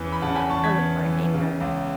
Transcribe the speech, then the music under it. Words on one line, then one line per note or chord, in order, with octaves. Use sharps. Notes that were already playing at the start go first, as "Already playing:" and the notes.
in hurt or anger,
Already playing: E2 C#3 E3 B3
B5
C#3 F#5 A5
G#5 B5
E2 A5 C#6
G#6 B6
B3
E3
C#3
C#2